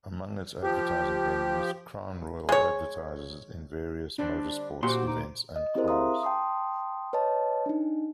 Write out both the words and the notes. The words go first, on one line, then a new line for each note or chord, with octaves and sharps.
Among its advertising venues, Crown Royal advertises in various motor sports events and cars.
F3 G4
G#3 C#5
D3 G3 C4 D4
A#2 C4 F#4 G4 C5 C6
D#4 D6
D#5
C4 E4 G4 G#4 A#4 C5
E5 F5 A#5 C6 D#6
G5 A5 C6 D#6
B4 C#5 D#5 A5
D4 D#4